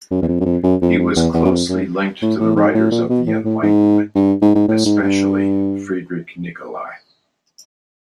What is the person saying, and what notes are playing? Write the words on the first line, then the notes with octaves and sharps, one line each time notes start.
He was closely linked to the writers of the enlightenment, especially Friedrich Nicolai.
F#2
E2
F2
F#2
F2
F#2
F2
F2
E2
E2
F#2
F2
F#2
A2
A2
G#2
A2
A#2
B2
A2
A2
G#2
G2
G#2
G#2
A2
G#2
G2